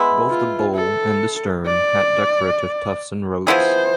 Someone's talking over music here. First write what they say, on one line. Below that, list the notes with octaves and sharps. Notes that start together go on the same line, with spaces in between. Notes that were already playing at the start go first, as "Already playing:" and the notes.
Both the bow and the stern had decorative tufts and ropes.
Already playing: G#3 B3 E4
F4
A4
D5
F3 B3 E4 G#4 C5